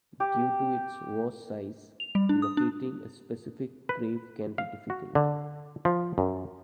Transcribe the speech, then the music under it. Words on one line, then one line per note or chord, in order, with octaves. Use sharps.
Due to its vast size, locating a specific grave can be difficult.
G4
F7
G3
D4
D#6
D4
B4
F5
F#4
D3
F3
F#2